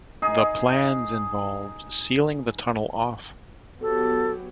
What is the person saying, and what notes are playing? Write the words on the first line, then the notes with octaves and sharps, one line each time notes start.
The plans involved sealing the tunnel off.
D#4 G#4 G#5
F#3 B3 G4 A4